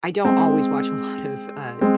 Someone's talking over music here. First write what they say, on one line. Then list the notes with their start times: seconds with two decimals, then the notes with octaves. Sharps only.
I don't always watch a lot of, uh,
0.24 G#3 C4
1.81 G#3 C4